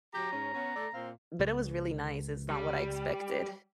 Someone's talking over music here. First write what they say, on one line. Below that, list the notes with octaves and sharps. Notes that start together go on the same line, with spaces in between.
but it was really nice, it's not what I expected.
F#3 G4 A#5
G#2 C#4
B3 C#4
A3 A4 D5
A#2 C4 F5
C#2
G3